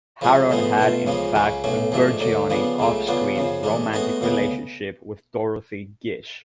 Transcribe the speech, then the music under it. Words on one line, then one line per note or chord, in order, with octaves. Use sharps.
Harron had, in fact, a burgeoning off-screen romantic relationship with Dorothy Gish.
C#3 F3 G#3 C#4
A2 F3 G#3 B3
B2 A3 F4
C#2 C#3 F3 G#3
C#2 C#3 F#3 C#4
B1 A2 F#3 C#4
G#2 F3 A3 D4
D2 D3 F#3
C#3 F3 B3 D4
C#2 C#3 F#3 A3
C#3 F#3 B3 D4 F4
F#2 C#3 F3
A1 G#2 G#3 D4
A2 G#3 B3 F#4
D2 C#3 G#3 B3